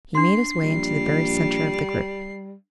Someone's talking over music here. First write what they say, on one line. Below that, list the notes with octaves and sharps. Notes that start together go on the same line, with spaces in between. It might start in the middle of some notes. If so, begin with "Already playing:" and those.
He made his way into the very centre of the group.
D4 C6 C7
A#1 G3